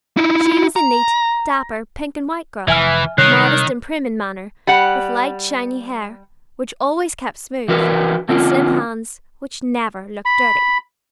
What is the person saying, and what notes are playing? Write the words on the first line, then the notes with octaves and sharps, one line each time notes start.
She was a neat, dapper, pink-and-white-girl, modest and prim in manner, with light shiny hair, which always kept smooth, and slim hands, which never looked dirty.
D#4 E4
A#5
F1 E3 E5 G#5 F6
C3 D#3 G3 G#3 C#5 F#6 C7
G3 F#5
E3 F#4 A#4 B4
D3 C4 C#4 F4
B5